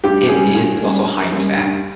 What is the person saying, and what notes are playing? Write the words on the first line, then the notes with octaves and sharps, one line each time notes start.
It is, but it’s also high in fat.
G2 G4
G3 A#3 C#4 G#4
G2 G#4
G3 A#3 C#4
G2
G3 A#3 C#4
G2